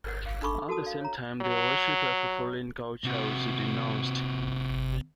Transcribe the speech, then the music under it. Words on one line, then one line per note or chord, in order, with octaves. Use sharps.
At the same time the "worship" of foreign culture was denounced.
A#4 F#5
F5
D4 D#4 A4 B5 C#6 D6
F#4 A4 A#4 A5 D#6
D5 F5
C#5 A#5
F#3
C3 F#4